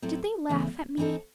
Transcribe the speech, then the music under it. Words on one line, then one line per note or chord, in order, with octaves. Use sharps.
"Did they laugh at me?"
A2 F#3 C4 E4 A4
E2 C#3 E3 A3 C4
E3 C4 D#4 A4